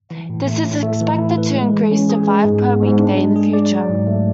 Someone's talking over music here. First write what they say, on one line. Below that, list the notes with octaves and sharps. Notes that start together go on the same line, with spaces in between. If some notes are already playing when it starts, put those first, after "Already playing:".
This is expected to increase to five per weekday in the future.
E3
A2
A3
A2
A3
E3
E4
B4
G#3
E3
C#4
G#4
G#3
G#2
B3
G#2
D4
G#3
G#4
D5
F#3
G#2
A3